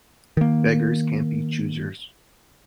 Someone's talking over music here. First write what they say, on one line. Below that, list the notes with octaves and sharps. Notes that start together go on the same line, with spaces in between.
Beggars can't be choosers.
D#3 A#3